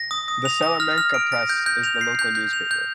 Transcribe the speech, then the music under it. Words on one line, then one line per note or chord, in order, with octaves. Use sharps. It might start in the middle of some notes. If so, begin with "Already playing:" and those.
The "Salamanca Press" is the local newspaper.
Already playing: A#6
D#6
D#6
F7
A#6
F6
F6
D7
A#6
G6
G6
F7
C7
G6
G6
F7
G6